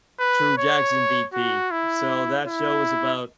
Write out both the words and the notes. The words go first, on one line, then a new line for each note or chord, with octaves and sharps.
True Jackson, VP, so that show is about
B4
C#5
F#4
E4
E4